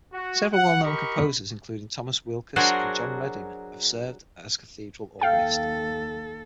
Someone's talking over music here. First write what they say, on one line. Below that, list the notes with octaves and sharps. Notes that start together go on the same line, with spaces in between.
Several well-known composers, including Thomas Weelkes and John Reading, have served as cathedral organist.
F#4
F#5
G4 A#4 D#5 B5 C#6
F#3 D4 F#4 G#4 A#4 C5
D#2 A4 F5 G5